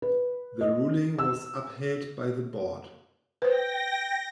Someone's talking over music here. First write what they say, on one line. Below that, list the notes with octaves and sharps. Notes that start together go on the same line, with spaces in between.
The ruling was upheld by the Board.
B4
D#5
E6
B4 C5 G5 A#6